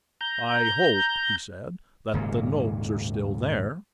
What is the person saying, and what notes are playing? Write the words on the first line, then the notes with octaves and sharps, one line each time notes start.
"I hope," he said, "that the notes are still there?"
A#5 G6
D#1 G#2 C#3 A#3